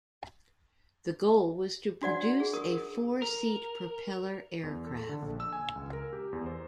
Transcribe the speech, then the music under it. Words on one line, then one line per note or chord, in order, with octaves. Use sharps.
The goal was to produce a four-seat propeller aircraft.
D4 F#4 D5 F#5
G#4
A#4 C#6 D#6
A#4
E2
A4
D3
A#1
E6
G#5
C#2
A#4
G4
E2
C5